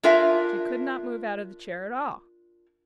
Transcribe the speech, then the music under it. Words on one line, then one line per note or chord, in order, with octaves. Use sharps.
She could not move out of the chair at all.
D4 F4 A#4 E5 G#5